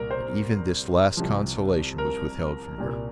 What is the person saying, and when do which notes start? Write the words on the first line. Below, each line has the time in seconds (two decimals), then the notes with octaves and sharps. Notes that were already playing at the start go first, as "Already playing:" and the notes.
But even this last consolation was withheld from her!
Already playing: C2 A#2 G3 A#4
0.11 C5
1.17 C2 C3 F3
1.98 A#4
2.78 C2 A#2 G3